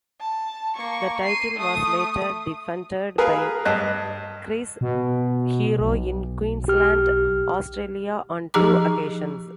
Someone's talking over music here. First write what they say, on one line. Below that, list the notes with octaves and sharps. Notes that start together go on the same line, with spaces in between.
The title was later defended by Chris Hero in Queensland, Australia on two occasions.
A5
A#3 C#6
C7 D#7
A3 D#6
G#4 A#4 B4 F5
G2 D#5 F#6
B2
B1
G4 F6
F3 D#4 G4 G#4 A#5 D6